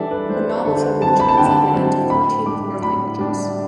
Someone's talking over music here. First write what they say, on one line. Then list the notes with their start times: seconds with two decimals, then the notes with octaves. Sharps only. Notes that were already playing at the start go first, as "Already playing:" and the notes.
Her novels have been translated into fourteen foreign languages.
Already playing: E3 G3 D4 A4 D5 E5
0.11 B4
0.29 G3 D4 C5
0.47 B4
0.65 D3 A4
0.75 C5
0.84 B4
1.02 F#3 C4 E4 A5
1.20 B5
1.29 A5
1.37 D3 G5
1.46 A5
1.74 F#3 C4 E4
2.10 A2 B5
2.46 G3 D4 D6
2.82 A2 B5
3.19 G3 D4